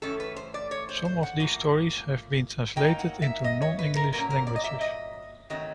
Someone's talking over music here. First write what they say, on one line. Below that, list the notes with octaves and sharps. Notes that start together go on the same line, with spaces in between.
Some of these stories have been translated into non-English languages.
A2 E3 A3 C#4 A4
B4
C5
D5
C#5
C5
C5
F#5
A2 F3 A#3
A2 F#3 A#3 D#4 G5
F#5
E5
D#5
C#5
B4
A#4
A#2 F#3 A#3 C#4 A#4
A#4
D5
D#5
E5
D#5
D#3 F#3 A3 C4 D#5